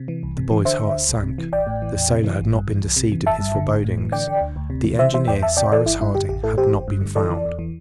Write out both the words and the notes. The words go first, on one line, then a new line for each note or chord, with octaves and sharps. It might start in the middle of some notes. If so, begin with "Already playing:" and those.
The boy's heart sank; the sailor had not been deceived in his forebodings; the engineer, Cyrus Harding, had not been found!
Already playing: C3
E3
C2
C3
E3
D3 C5 E5
D3
D2
C2
C3
E3
A1 D5 G5
A2
E3
E2
C3
E3
A1
G2
E3
C2
C3
E3
G1 E5 A5
G2
D3
A1
A2
E3
D3 D5 G5
D3
D2
D2
C3
E3
E3 C5 E5
E3 C5 E5
E2 D5 G5
E2 E5 A5
C3 D5 G5
E3 A4 D5
G1 E4
G2 E4
D3 G4
A1 G4
A2 E4 A4
E3 G4 C5
G1
G2
D3
E3 A4 D5
E3
E2
E3